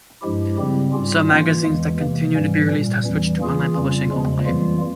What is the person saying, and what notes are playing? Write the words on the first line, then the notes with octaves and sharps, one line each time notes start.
Some magazines that continue to be released have switched to online publishing only.
G2 F3 G#3 E4 G4
C#3 G3 C4 G4
G#2 G3 C#4 F4
E3 A#3 F4
E2 E3 G#3
C3 E3 A#3
G#2 E3 G3 C#4
A#2 G3 C#4
E2 E3 G3
E3 A#3 C#4 F4 G#4
F2 C#3 G3 C#4 F4
E2 C#3 F3 G#3
F2 E3 G3 A#3 F4